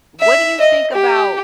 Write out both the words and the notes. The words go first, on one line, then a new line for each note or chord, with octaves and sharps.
What do you think about
E5
D#5
G4